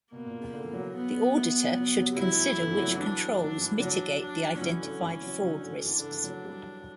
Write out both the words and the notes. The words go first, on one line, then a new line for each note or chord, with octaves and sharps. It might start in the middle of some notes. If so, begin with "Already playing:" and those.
The auditor should consider which controls mitigate the identified fraud risks.
B2 A#3
A#2
C#3
D3
E3
F#3
B3
F#3
F#3
F#3 E4
E3
D3
E3
F#3
F#3
E3 D4
F#3 D4
E3
F#3 D4
D4
F#3
E3 C#4
D3
E3
F#3
F#3
D3
E3 D4
D3
E3
F#3
G3